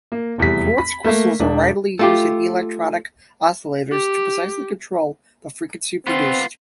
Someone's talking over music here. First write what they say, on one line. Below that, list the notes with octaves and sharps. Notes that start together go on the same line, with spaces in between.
Quartz crystals are widely used in electronic oscillators to precisely control the frequency produced.
A#3
F1 E2 G3 B6
B5 B6
A3 A#3
E1 D4
A3 F4 G4
G4
B3 C4 F4